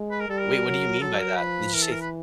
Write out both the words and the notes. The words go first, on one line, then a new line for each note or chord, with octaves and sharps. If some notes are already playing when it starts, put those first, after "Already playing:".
Wait, what do you mean by that? Did you say
Already playing: G#3
B4
A#4
G3 A4
A#4
F#3
F#3 A4
A#4
F3 B4
E3 A#4
A4
A#4
B4